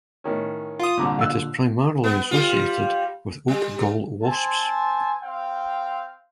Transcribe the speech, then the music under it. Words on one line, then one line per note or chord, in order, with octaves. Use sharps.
It is primarily associated with oak gall wasps.
A2 D#3 C#4
F4 D#6
C2 A#2 D3 A#5 D6
F5 E6 F#6
B3
G3 F4
G3
C4 C5 G#5 A5
C4 F5 G5